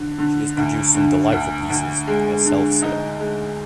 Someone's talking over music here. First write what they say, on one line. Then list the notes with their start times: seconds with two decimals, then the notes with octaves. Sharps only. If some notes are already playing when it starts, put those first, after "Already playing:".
She has produced some delightful pieces, herself, sir.
Already playing: D3
0.18 D3
0.57 D2
0.95 D3
1.32 D2
1.70 D2
2.07 G#3
2.45 D3
2.82 D#4
3.20 G#3